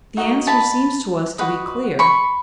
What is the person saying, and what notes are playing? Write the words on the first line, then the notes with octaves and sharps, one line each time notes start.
The answer seems to us to be clear.
D#4 F#4 D#5
A5 B5
F#4 B4 D#5
B5 C#6